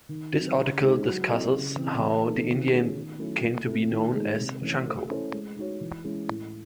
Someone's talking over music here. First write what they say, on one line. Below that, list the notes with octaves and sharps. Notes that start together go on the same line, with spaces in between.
This article discusses how the Indian came to be known as Chanco.
D#3
F#3 C4 D#4
C#3
G#3 D#4 G#4
F#3
C4 E4 A4 D#5
C#3
E3 C4
E3
A3 D#4 A4
D#3
A3 C#4 G#4
D#3
F#3 A3 C#4 E4
A3
C4 E4 A4
D#3
G#3 D#4 G#4
C3
E3 A3 C#4
A3
C#4 E4 A4 C5
G#3
D#4 F#4 C#5
E3
G#3 C#4 E4
A2